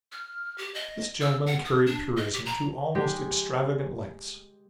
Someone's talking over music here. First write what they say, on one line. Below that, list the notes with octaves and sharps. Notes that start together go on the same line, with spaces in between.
This gentleman carried purism to almost extravagant lengths.
F6
G4
D#5
E6
F#5
D#6
D4
D#5
G4
A#5
G#3 G4